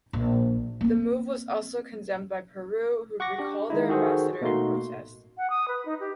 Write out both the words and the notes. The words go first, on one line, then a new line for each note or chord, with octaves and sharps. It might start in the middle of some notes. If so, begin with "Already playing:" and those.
The move was also condemned by Peru, who recalled their ambassador in protest.
A#1
A#3 C4
F#5 C#6 D6 A#6
D4 G4
D#3 G#3 D#4 E4
D#3 F#4 G#4 A4 C5
B2 A3 A#3 D#4 F#4 C6
F#5
D#6
B4
D#4
G4